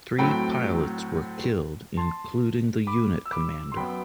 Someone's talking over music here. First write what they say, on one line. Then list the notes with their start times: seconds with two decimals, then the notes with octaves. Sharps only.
Three pilots were killed, including the unit commander.
0.18 A2 F#3 A3 C4 G5 B5
1.97 A5 C6
2.87 B5 D6
3.26 E6
3.31 B5 D6
3.72 C6
3.76 F#2 F#3 B3 G5 B5